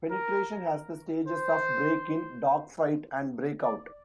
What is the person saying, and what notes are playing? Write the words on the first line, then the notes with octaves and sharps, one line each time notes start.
Penetration has the stages of break in, dog fight and break-out.
A#4
C5
D5